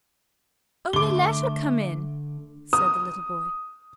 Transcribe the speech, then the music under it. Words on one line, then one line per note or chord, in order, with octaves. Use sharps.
"Only let her come in!" said the little boy.
D3 A3 D6 G7
D#6